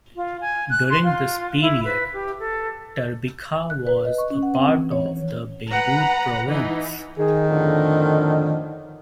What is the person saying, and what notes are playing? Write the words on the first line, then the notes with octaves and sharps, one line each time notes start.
During this period Tarbikha was a part of the Beirut province.
F4
G#5
F#6
C6
F4
E4
B4
G4
A4
F#6
B4
D#5
C#6
C#4
F#5
C4
E3
C#5
E3
B4 F#5 A#5
E3 D#4
D#3 G#4
F2 A2 D3